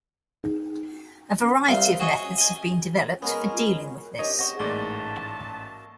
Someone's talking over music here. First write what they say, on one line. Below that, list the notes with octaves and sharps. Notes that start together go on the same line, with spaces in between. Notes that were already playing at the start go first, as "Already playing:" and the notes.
A variety of methods have been developed for dealing with this.
C2 F4 C6
F#4 G#4 C#5 D#5
D#5 G#5
G#3 B3 C#4 A#4
D4 G4 A#4 C#5 D#5 E5
C4 F#5 C#6 A#6
A1 G#2 A3 A#3 D5 A5 G7